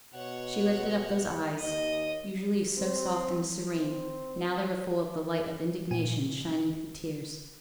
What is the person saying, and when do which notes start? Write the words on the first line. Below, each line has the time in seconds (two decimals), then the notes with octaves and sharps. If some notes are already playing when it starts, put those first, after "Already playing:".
She lifted up those eyes, usually so soft and serene; now they were full of the light of indignation shining through tears.
0.14 B2 C#5 F#5
1.59 D#2 D#5 D#6
2.78 C4
3.76 C4
5.91 A#2 G#5 D#7